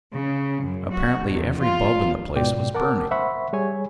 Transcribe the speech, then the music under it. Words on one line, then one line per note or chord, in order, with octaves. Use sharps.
Apparently every bulb in the place was burning.
C#3
F#2
F#4
E2
F4
G#2 B2 D5 G5
A#4 F#5 A5 D6
C5 E5 F#5 B5 C#6
G3 G#4 C#5 G#5